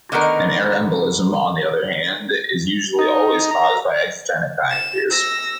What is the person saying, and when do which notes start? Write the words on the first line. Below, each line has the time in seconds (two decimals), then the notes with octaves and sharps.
An air embolism, on the other hand, is usually always caused by exogenic factors.
0.12 D3 D#3 A3 B3 D#4 A#4
2.99 D#4
3.51 A#5
4.70 E7
5.11 E6 A#6